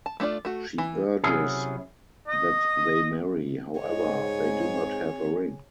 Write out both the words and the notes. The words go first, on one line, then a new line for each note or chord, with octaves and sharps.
She urges that they marry; however, they do not have a ring.
A5
A3 D4 F4 D5
A3 F#4
E3
C3 F#3 C#4 E4 G#4
D#5
G#2 G#4 C#5 D#5
C4